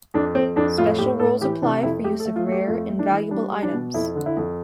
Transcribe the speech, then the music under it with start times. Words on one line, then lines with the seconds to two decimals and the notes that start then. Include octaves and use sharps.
Special rules apply for use of rare and valuable items.
0.14 F2 D4
0.35 F2 C4
0.56 F2 D4
0.78 A2 F4
0.98 A2 G4
1.19 A2 A4
1.40 E3 G4
1.62 C3 D4
1.83 F2 E4
2.04 A3 G4
2.20 A4
2.25 A3
2.36 F4
2.47 A3
2.52 G4
2.67 F2 F4
2.89 A3
2.99 D4
3.09 E3
3.31 G3 D4
3.52 G3
3.62 D4
3.73 B2
3.94 F2 E4
4.15 D3
4.26 E4
4.37 F2